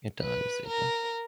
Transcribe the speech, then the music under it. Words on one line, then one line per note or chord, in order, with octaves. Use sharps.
It does, yeah.
B4
A#4